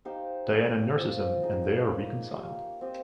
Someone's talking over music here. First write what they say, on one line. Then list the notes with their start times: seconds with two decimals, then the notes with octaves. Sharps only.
Diana nurses him and they are reconciled.
0.05 D#4 G4 C5 F5
0.50 G3 C#4 G4
0.96 C4 F4 C5
1.43 D#4 G#4 D#5
1.89 A#3 C#4 G#4
2.34 D#4 G4 C#5 F5
2.81 C4 G4 C5 D#5